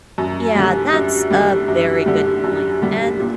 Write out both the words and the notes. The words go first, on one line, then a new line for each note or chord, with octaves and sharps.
Yeah. That's a very good point, and
F#2
D3 G3
F#2
D3 G3
F#2
D3 G3
F#2
D3 G3
A#2